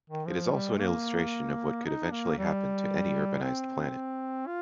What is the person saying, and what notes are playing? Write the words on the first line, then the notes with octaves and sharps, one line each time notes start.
It is also an illustration of what could eventually happen to any urbanized planet.
D#3
F3
G3
A#3
D#4
A#3
G3
C4
F4